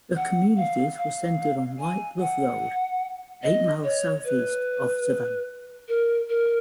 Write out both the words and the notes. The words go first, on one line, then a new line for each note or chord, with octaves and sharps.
The communities were centered on White Bluff Road, eight miles southeast of Savannah.
F#5
F5
F5
G#5
F#5
D#5
C#5
B4
A#4
A#4